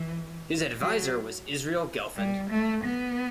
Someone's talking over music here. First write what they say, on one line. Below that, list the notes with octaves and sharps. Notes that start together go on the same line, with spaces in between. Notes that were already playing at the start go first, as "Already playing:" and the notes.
His adviser was Israel Gelfand.
Already playing: E3
F#3
G3
A3
B3